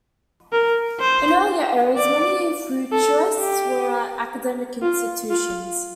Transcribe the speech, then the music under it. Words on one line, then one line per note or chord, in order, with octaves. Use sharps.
In earlier eras, many futurists were at academic institutions.
A#4
C5
D5
A4
G4
F4
F4